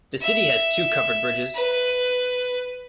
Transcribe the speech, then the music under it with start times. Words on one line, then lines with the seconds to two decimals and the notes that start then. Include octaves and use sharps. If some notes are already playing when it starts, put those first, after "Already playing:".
The city has two covered bridges.
0.21 E5
1.55 B4